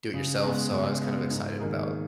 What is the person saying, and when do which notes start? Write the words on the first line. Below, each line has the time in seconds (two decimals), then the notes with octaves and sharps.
do it yourself. So, I was kind of excited about
0.14 C#3
0.43 G#3 B3
0.72 C#3
1.01 G#3 B3
1.30 G#2
1.59 D#3 A#3 D#4 G#4